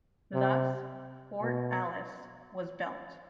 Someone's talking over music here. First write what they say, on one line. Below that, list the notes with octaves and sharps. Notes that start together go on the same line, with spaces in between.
Thus Fort Alice was built.
C3
B2